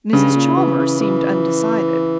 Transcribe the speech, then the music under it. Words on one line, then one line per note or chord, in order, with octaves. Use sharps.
Mrs. Chalmers seemed undecided.
G2 C#3
A#2
E3
E3
E3